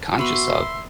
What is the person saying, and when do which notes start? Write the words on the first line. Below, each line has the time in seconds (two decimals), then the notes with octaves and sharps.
conscious of.
0.19 B3 F#4 E5 B5 C6